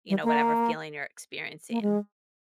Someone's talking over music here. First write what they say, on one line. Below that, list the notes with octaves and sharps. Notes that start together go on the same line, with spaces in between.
you know, whatever feeling you're experiencing?
G3
A#3
A#3
G#3